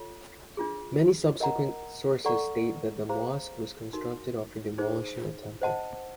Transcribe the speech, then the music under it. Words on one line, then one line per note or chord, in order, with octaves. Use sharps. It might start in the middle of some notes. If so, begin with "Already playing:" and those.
Many subsequent sources state that the mosque was constructed after demolishing a temple.
Already playing: F4 A4 C#5
D4 F4 G#4
A#4 D#5 F#5 A#5
A4 D5 F#5 A#5 C#6
G#4 C5 F5 A#5
D#4 F#4 A#4
D#4 G#4 C5
C5 D#5 F#5 A5